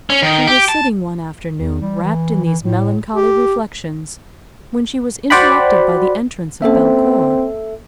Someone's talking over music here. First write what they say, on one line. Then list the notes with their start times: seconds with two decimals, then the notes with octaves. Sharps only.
She was sitting one afternoon, wrapped in these melancholy reflexions, when she was interrupted by the entrance of Belcour.
0.10 C#4
0.22 D#3
0.47 G4
0.69 A5
1.57 E2
1.81 G3
2.03 E3
2.44 E3
2.63 A2
3.14 G4
5.30 F#4 C5 D5 F#5 G5 B5
6.62 A#3 C4 C#4 A4 C5 E5